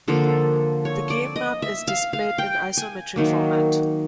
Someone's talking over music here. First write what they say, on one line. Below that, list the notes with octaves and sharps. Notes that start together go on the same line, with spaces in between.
The game map is displayed in isometric format.
D3 F3 A#3 A4
C#5
D5
D#5
E5
F5
F5
G5
G#5
D#3 F#3 A#3